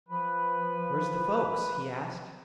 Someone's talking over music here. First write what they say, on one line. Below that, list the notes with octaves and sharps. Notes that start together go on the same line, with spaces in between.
"Where's the folks?" he asked.
F3 B4